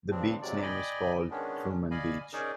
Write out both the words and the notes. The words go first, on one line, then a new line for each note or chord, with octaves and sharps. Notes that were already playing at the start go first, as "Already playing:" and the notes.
The beach name is called Truman Beach.
G2 C#3 F3 C4 D4
F2 C3 F#3 G#3 D5
D5 D#5 G5 G#5 B5
D#3 G#3 B3 C#4 D4
D5 D#5 F5 G#5 B5
C#4 D#4 G#4 A#4 D5